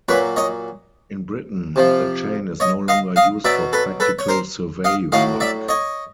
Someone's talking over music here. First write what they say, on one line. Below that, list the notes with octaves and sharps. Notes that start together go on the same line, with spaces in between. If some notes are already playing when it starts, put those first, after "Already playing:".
In Britain, the chain is no longer used for practical survey work.
A#2 F#3 B4 C#5
C#5 D#5
C3 F3
C#5 D#5
D#5 F5
D#5 F5
B2 F#3 D5 E5
A4 B4
A4 B4
C#5
A#4 C5
D#5 F5
A2 F#3 D#5 F5
D5 E5
C#5 D#5